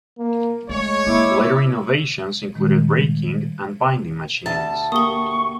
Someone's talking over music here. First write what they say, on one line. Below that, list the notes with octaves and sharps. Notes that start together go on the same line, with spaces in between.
Later innovations included raking and binding machines.
A#3
G#3 A3 C#5
A#3 E4 D6 E6
A#2 D#3 F3 G3 G#3
D2 A5
A#3 G4 C#6 D#6 G7